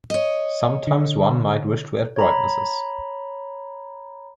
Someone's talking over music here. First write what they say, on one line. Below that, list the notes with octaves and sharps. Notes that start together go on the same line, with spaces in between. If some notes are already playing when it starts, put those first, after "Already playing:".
Sometimes one might wish to add brightnesses.
C#5 D#5
D3
C#5 A#5 B5